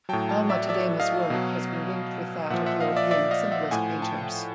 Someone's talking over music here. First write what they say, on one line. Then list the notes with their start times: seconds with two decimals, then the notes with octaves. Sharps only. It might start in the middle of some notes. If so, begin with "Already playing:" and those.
Alma-Tadema's work has been linked with that of European Symbolist painters.
0.09 A2 F#3 G5 A5
0.29 G5 A5
0.49 D5 E5
0.69 D5 E5
1.00 D#5 F5
1.30 B2 F#3
2.50 A#2 F3 E5 F#5
2.66 E5 F#5
2.80 D#5 F5
2.96 D5 E5
3.11 D5 E5
3.31 D#5 F5
3.52 E5 F#5
3.71 A2 F3 F#5 G#5
4.02 G5 A5